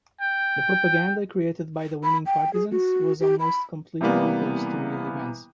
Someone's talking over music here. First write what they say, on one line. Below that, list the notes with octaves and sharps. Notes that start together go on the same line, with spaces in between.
The propaganda created by the winning Partisans was almost completely opposed to real events.
G5
B5
G5
G#4
F#4
G4
B5
C3 E3 G3 A#3 B3